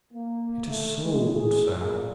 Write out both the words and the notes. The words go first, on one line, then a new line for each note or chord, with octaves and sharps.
"It is sold, sir."
A#3
A3
G#3
G#4
A#2